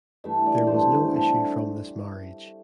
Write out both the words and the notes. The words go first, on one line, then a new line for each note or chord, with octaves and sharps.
There was no issue from this marriage.
G2 E3 A3 E5
D5
G2 E3 A3 C5
G2 D3 C4 E4